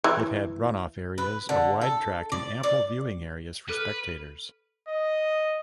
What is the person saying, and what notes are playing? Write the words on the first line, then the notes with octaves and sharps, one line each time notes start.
It had run-off areas, a wide track and ample viewing areas for spectators.
E3
B4
D3
A4
D5
D5
A4 B4 F6
D#5